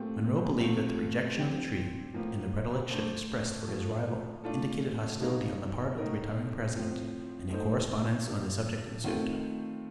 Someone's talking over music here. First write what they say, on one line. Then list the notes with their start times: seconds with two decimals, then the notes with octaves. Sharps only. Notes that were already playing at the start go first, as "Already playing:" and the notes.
Monroe believed that the rejection of the treaty and the predilection expressed for his rival indicated hostility on the part of the retiring President, and a correspondence on the subject ensued.
Already playing: A#2 A3 C4 G4
0.60 A3 C4 F4
1.37 G3 C4 G4
2.14 A2 F3 A#3 F4
2.90 A3 D4 A4 C5
3.67 A#2 F3 A3
4.44 A3 D4 F4 A4
5.20 G3 A#3 D#4 A#4
5.97 A2 A3 D#4 A#4
6.74 A2 F3 C4 F4
7.50 A3 D#4 A4 C5
8.27 A#2 G3 D4
9.04 D#3 A3 C4 F4 A4